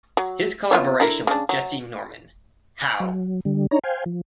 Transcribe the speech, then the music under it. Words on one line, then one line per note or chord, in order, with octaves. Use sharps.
His collaboration with Jessye Norman, How!
F#3
B3 F4 C#5
D3 E4 A#4
C#3 D4
F#3
F#3
D3 G3
D4 D#4 C#5 A#5
C5 F5 G5 G#5
F3